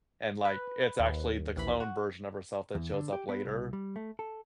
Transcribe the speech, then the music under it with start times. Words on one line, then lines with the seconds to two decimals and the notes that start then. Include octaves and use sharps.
and, like, it's actually the cloned version of herself that shows up later.
0.45 B4
1.00 D#2
1.57 A#1 E3 B5
1.80 F#4
2.75 E2
2.93 D3
3.13 G4
3.29 B3
3.45 C2
3.73 G3
3.96 A3
4.19 A4